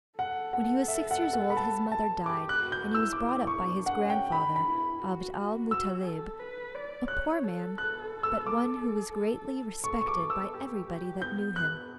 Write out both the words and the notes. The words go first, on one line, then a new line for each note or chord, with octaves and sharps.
When he was six years old his mother died and he was brought up by his grandfather, Abd al-Muttalib, a poor man, but one who was greatly respected by everybody that knew him.
A4 F#5
F#5
E5
F#5
F#5
B5
A5
A5
G4 D6
F#6
F#4
G6
E4 E6
D6
D6
D6
C#6
D4
F#5
C#4
G5
D4 B5
B5
E4
F#4
F#4 E6
A4
B4
D5
C#5 F#6
A4
F#6
E6
D6
A4
A4 C#6
C#6
D6
E6
G4
G4
B3 G6
F#6